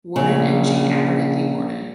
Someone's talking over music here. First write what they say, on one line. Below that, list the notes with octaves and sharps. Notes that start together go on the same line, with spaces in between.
Warden and Jane Abernathy Warden.
A#1 C#3